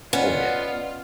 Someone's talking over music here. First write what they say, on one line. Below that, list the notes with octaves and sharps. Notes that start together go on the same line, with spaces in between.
Oh, yeah.
B3 C#4 F4 D5 D#5 F#5